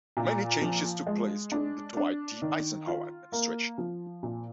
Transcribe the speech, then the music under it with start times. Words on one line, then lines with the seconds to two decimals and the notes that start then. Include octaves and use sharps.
Many changes took place during the Dwight D. Eisenhower administration.
0.17 A#2
0.61 F3
1.07 G#3
1.52 D4
1.97 D4
2.42 D#3
2.87 F4
3.32 A#3
3.78 F3
4.23 A#2